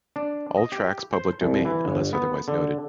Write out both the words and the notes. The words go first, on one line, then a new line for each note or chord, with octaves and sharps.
All tracks public domain unless otherwise noted.
D4
D#5
G4
C5
C2
E3
G1
B3
D3